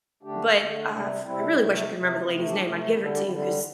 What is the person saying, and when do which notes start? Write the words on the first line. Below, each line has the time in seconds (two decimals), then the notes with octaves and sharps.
but, uh, f I really wish I could remember the lady's name, I'd give her to you 'cause
0.23 D3 A3 D4 G4
0.57 D3 A3
0.90 C3 G3 A3 D4
1.24 C3 G3 C4 E4
1.57 C3 A3
1.91 C3 A3
2.02 C4
2.13 A3 D4
2.25 C3 C4 E4
2.30 A3
2.36 C4 E4
2.47 D4 G4
2.59 C3 A3
2.92 G3 C4 E4
2.96 D3
3.03 E4 A4
3.14 D4 G4
3.25 D3 G3 C4 E4
3.38 C4 E4
3.48 C4